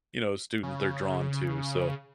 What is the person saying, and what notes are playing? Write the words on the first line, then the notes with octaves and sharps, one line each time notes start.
you know, student they're drawn to, so,
C#3